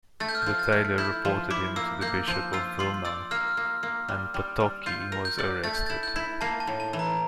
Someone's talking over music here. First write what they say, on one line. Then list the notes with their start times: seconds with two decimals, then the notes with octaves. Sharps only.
The tailor reported him to the Bishop of Vilna, and Potocki was arrested.
0.20 A3 A6
0.29 G6
0.35 F6
0.42 F3 G6
0.59 A6
0.72 A3
0.98 E4 G6
1.25 F3
1.50 E4 D6
1.76 A#3 E6
2.01 A#3 G6
2.27 F3 G6
2.53 F4 E6
2.79 F4 C6
3.05 D5 E6
3.31 A#3 F6
3.57 A#3
3.83 A#3
4.08 G3
4.34 G3
4.60 G3
4.86 F4 G6
5.12 A#4
5.25 G6
5.38 D5
5.63 A3 A6
5.75 G6
5.86 E4 A6
6.03 G6
6.16 E4
6.41 A#3 A5
6.60 A5
6.67 A2
6.80 A5
6.93 E3
6.99 A#5